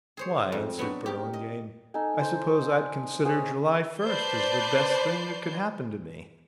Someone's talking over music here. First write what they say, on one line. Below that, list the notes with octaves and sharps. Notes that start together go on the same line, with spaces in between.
"Why," answered Burlingame, "I suppose I'd consider July first as the best thing that could happen to me."
G#4 C5 C#5
F2
F#3 B3 D4 F#4
G4 A#4
D#5
D#4 A4 G#5
C5
D#6
G#4 C5 C#5
B4 C5 D5 A5 G6 C7